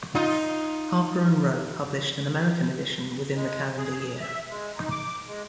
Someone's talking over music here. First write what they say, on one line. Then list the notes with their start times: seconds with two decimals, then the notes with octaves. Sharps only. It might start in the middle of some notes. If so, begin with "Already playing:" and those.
Harper and Row published an American edition within the calendar year.
0.15 D#4 F4
3.35 G#3
3.77 G#4
4.21 E5
4.49 G#3
4.77 D#4
4.90 D6
5.27 G#3